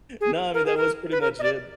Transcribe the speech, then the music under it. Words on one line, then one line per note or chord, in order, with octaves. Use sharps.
no, I mean, that was pretty much it.
G#4
A#4
G#4
A#4
B4
A#4
D#5
D5